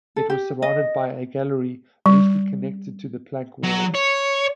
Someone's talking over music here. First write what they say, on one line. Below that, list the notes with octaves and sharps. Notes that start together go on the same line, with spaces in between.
It was surrounded by a gallery loosely connected to the plank walls.
A4
G4
D#5
G3
F#3
C#5